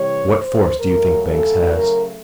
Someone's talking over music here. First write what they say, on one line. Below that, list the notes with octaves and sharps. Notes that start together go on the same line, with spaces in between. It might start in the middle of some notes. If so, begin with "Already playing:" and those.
"What force do you think Banks has?"
Already playing: C3 E3 G3 C#5
C5
C#3 F#3 A3 A#4
A4
A#4